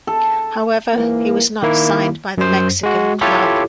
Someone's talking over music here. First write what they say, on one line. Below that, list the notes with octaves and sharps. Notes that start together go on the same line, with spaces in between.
However, he was not signed by the Mexican club.
A4
G#2 E3 A#3
D#3 A#3 E4
F#2 C5
G#3 F#4
E4 F4 G4 A4 C#5